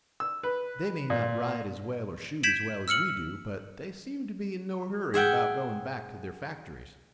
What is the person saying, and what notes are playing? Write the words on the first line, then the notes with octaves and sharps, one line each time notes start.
"They may not ride as well or shoot as well as we do, but they seem to be in no hurry about going back to their factories."
E6
B4
A#2
G6 G#6 B6 D7 E7 F#7
E6 F6 C#7 F#7
G#4 E5 F#5 G5